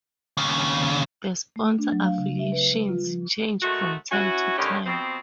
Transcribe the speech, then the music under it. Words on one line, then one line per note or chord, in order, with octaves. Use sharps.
The sponsor affiliations change from time to time.
D#2 C#3
A3
D4
F#3
F5
C#3
E5
B4
G3
F4
F3
D#3 G#3 A3 F#4
C#4 E4 F#4
A2 D3 D#3 C#4 G4
B2 F3 C4